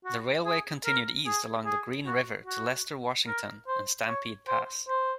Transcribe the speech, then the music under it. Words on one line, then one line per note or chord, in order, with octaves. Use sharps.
The railway continued east along the Green River to Lester, Washington and Stampede Pass.
F#4
G#4
A#4
G#4
G#4
F#4
F#4
A#4
C5
C#5
C5
C5